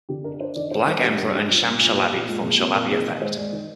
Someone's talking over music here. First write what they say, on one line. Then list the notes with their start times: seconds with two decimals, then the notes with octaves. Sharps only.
Black Emperor and Sam Shalabi from Shalabi Effect.
0.09 D3 G4
0.24 D4 A#4
0.40 D4 C5
0.56 D#3 D5
0.71 D#3 C5
0.87 G3 C5
1.03 D4 G4
1.18 G3 A#4
1.34 D4 G4
1.49 G3 F4
1.65 A#2
1.81 A#2 F4
1.97 A#2 G4
2.12 A#2 G4
2.28 G#3 F4
2.43 A#2 G#4
2.59 C4 G4
2.75 A#2 A#4
2.90 D#3 G#4
3.06 D#3
3.21 G#3 C5
3.37 G#3 D5
3.53 D#3